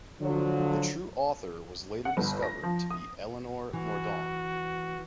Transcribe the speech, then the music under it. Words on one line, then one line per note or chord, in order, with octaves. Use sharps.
The true author was later discovered to be Elinor Mordaunt.
D3 F3 F#3
F#5
G1
A#6
F3
D#6
E3 F#4